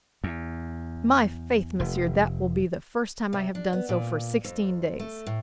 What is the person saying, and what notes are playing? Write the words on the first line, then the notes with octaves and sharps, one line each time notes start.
"My faith, monsieur! that will be the first time I have done so for sixteen days."
E2
F1
C3
D4
B3
A#2
F2
A3
A2